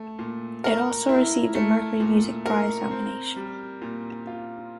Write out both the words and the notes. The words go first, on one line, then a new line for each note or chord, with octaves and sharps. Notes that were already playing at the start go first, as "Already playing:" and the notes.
It also received a Mercury Music Prize nomination.
Already playing: A3
A#2
A#4
E4
A3
A#2
A#4
C4
G3
A#2
F4